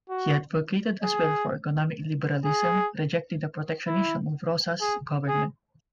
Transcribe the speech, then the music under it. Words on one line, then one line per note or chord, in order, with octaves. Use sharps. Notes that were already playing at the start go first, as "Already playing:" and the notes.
He advocated as well for economic liberalism, rejecting the protectionism of Rosas' government.
F#4
G#4
G#4
E4
G#4
G#4